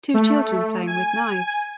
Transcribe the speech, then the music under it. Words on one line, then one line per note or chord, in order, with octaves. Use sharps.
Two children playing with knives.
A3
G#5